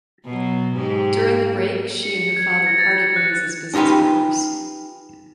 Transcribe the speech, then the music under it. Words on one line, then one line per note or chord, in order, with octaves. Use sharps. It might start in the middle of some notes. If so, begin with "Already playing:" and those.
During the break she and her father parted ways as business partners.
B2 F#3
G#2 G4
C#7
C#7
G#6
C#7
A#6
A6
C#7
F#6
C#4 D#4 F4 G4 B4